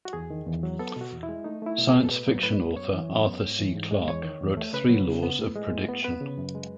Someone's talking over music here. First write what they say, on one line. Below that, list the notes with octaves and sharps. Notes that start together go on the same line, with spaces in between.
Science fiction author Arthur C. Clarke wrote three laws of prediction.
F#4
E2 G#4
D#3
E2
F#3
B3 A4
B2 F#4
E2
E4
G#3
A3 D#4
A3 E4
B2
G#4
B2
A4
A2 B4
F#3
A2 B4
B3
F#2 C#5
E3
F#2
B3
G#2
E3
G#2
G#3
E2 C#5
D#3
E2
A3
C#3 B4
F#3
C#3
B3
A2
G#3
A2
B3
B3 B4
C#3
F#2
G#3